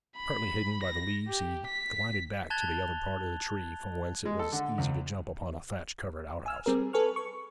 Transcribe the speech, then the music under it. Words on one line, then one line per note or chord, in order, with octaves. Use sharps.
Partly hidden by the leaves he glided back to the other part of the tree, from whence it was easy to jump upon a thatch-covered out-house.
B5
A#6
G4
B6
A5 F#6 G#6 A6 F7 G7
G#3
A4
D3
C#2
G#5 E6 F6
G3 C4 G#4 A#4
A4 B4 G#5 C#6 F6
C#6